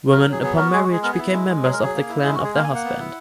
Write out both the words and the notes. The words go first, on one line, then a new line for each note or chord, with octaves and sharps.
Women upon marriage became members of the clan of their husband.
F#3 A#4
A#4
F#3
G#4
B3 G#4
F#4 A#4
G#3 G#4
F#4
G#3 G#4
B3 A#4
G#4
E4
G#3
G#3
F#3 G#4
A#4
F#3 G#4
A#3
E4
G#3 G#4
F#4
G#3
G#4
A#3 A#4
G#5
A#3
F#5
B3
E4